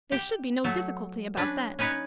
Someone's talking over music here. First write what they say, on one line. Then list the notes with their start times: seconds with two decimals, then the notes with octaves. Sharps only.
There should be no difficulty about that.
0.12 G4
0.64 F#3 A3
1.37 C#4 D4 B4
1.79 C#4 D#4 B4 C#5